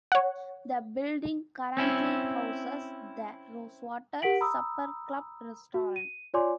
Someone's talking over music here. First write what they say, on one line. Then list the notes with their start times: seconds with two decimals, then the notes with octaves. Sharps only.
The building currently houses the Rosewater Supper Club Restaurant.
0.12 C#5 F#5
1.77 C4 C#4 E4
4.22 G4 A#4 F#5 B6 D7 F#7
4.41 A#5 B5 D#6 E6
5.74 F#4
5.96 D#7
6.34 F4 C#5 D5 G#5 C6 D6